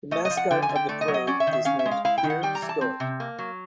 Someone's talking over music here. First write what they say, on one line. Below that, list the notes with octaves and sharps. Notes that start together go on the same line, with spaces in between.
The mascot of the parade is named "Peer Stoet".
A3 D#5
D#5
F3
F#5
D3 G5
G#5
D3
G5
A3 D5
D#5
F#3
D#5
C#4 D5
E5
D#3
E5
C#4 F5
E5
G#3
F5
E4 F5
G5
D#3
F#5
G3 G5
A#5
E3
A5
C4
C3
A#3
F#3